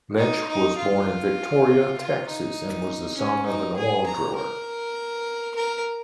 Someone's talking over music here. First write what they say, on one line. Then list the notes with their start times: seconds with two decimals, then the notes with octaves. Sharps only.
Lynch was born in Victoria, Texas and was the son of an oil driller.
0.18 D#4
0.47 D#4
0.78 F4
1.98 F4
2.27 D#4
3.16 C#4
3.46 D#4
3.77 G#4
4.06 A#5
4.36 A#4
5.55 A#4